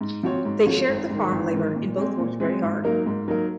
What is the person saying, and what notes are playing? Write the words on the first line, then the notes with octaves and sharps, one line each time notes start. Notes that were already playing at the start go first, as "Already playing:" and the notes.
They shared the farm labour and both worked very hard.
G#2
F3 C4 F#4 C#5
G#2
F3 C4 F#4 C#5
G#1
G#2 D#3
G#1
G#2 D#3
A#2
G#3 C4
A#2
G#3 C4
G#2
F#3 A#3 D#4 A#4
G#2
F#3 A#3 D#4 A#4